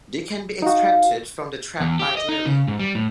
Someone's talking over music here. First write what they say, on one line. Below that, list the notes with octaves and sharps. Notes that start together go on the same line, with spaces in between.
They can be extracted from the trap by drilling.
D#4 F#4 F5
E2
G4
D#5
D#4
C#3
G#2
G3
A2